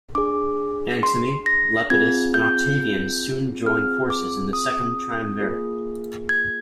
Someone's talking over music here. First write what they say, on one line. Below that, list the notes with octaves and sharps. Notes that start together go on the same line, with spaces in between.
Antony, Lepidus, and Octavian soon joined forces in the Second Triumvirate.
D4 G#4 D6
C6
A#6
C4 F4 G#4 G#6
G6
C4 F4 G#4 F6
D6
D#6
A#3 F4 G#4
G#6